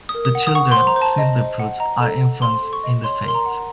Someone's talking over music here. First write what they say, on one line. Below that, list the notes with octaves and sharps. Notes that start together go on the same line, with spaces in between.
The Children, simply put, are infants in the faith.
D#6
A#4
D#6
F#5
D#6
F#5 C#6
C6
C5
A#5
C5
A5
D#5
C5
F#5
D#5 A#5
A4
F#5
C5 C6
A4
C#6
D#5
C#5 C6
A#4 C6
A#5
F#5